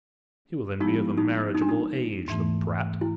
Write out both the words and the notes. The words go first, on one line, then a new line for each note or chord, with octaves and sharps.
He will then be of a marriageable age, the brat!
F3 G#3 B3 D#4 E4 G4
D#4
D#4
D4
D#4
G#2 E3 A3
E4